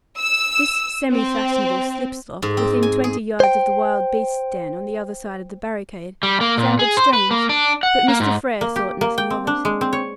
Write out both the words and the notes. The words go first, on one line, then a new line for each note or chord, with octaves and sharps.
This semi-fashionable slip-slop, within twenty yards of the wild beasts' den, on the other side of the barricade, sounded strange; but Mr. Frere thought nothing of it.
E6
C4
G#2
C4
G#5
G#4
C5 G5
G3
A#3
A#2
G#4
C5
B4
A#3
D4
F#5
A#3
G#2
A#3
G4
A#3
G5
C4
D4
G#3
C4
C#5